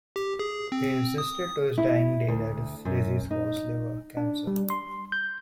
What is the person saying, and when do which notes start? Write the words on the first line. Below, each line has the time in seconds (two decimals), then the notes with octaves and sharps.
He insisted to his dying day that his disease was liver cancer.
0.16 G4
0.39 G#4
0.72 C4
1.18 D#6
1.78 E4
2.28 D2
2.85 F#2
3.31 D#4
4.17 D4
4.47 G3
4.70 C6
5.12 G6